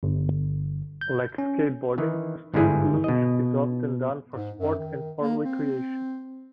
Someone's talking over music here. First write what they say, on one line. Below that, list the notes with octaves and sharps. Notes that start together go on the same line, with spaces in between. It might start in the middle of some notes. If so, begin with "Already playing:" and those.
Like skateboarding, street luge is often done for sport and for recreation.
G1
G6
C#4
D#3 E3
G1 G#2 D3 G3 E4 G#4
B2 D#5
G#2
F#2
D#3
A#3
C4